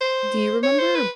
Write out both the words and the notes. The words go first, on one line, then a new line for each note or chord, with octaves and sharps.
Do you remember
C5
C#5
C5
B4